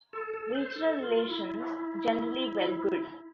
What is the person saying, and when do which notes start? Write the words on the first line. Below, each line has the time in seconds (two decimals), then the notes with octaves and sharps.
Regional relations generally were good.
0.13 A4
0.34 A4
0.55 C5
0.75 A4
1.03 F4
1.30 E4